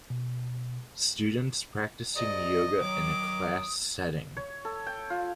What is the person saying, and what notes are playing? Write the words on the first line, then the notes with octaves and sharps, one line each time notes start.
Students practicing yoga in a class setting.
B2
C3 G#4 D5 D#5 D#6
D#3 F#3 D6
C#5
A4
G5
F4